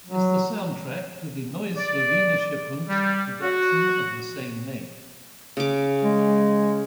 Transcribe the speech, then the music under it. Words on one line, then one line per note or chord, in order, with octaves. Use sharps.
It is the soundtrack to the Neue Slowenische Kunst production of the same name.
F#3
D5
G3
F#4
C#3 D6
G#3